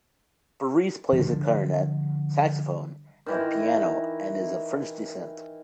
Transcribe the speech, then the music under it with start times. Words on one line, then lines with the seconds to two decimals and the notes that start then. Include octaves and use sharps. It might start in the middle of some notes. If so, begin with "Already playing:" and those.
Berresse plays the clarinet, saxophone and piano and is of French descent.
1.13 D3 F3 G3 D4
3.26 D#3 E3